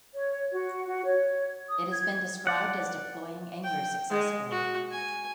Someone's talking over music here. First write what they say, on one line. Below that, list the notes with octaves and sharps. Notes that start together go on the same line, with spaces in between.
It has been described as deploying anger successfully.
C#5
F#4
F#4
C#5
D#6
G#6
D5 F#5
G5
G#3
F#4
G#5